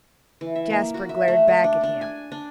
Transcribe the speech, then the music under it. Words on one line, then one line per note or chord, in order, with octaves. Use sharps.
Jasper glared back at him.
E3
E5
A#3
F#4
E5
A3
A3
D4
D4
G#5
D4